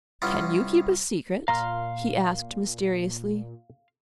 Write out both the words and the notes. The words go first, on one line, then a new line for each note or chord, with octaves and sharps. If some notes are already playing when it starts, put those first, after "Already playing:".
"Can you keep a secret?" he asked mysteriously.
C2 B3 C#4 F4 D6
A#2 F5 A#5 C6 F6